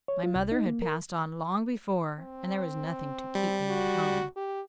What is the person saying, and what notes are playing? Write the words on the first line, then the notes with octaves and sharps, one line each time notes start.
My mother had passed on long before, and there was nothing to keep me at home.
C#5
F4
C2
D#4
A#3
A#4
C4
G3
F#4
G4